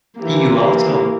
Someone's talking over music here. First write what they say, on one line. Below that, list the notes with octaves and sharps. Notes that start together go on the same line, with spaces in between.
You also.
E3 A#3 G4